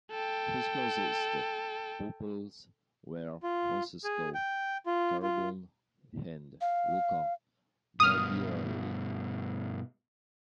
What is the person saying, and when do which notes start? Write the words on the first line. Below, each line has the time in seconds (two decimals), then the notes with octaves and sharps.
His closest pupils were Francesco Carbone and Luca Barbieri.
0.11 A4 G5
3.43 F4
4.04 G#4
4.35 G5
4.86 F4
5.23 F4
6.61 F5
8.00 G2 B2 D#6 F6